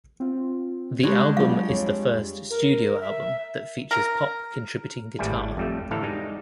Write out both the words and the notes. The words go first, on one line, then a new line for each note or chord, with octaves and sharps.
The album is the first studio album that features Pop contributing guitar.
C4 F4
G3 G#3 D4 C#6 F#6 G#6
F#3 F4 F5
F2 C#5
A#4
E5
A#4
G#1 A2 G3 E4 G#5
F2 G3 A3
A2 D3 E3 A4 F5 A#5
G3 G#3 D#4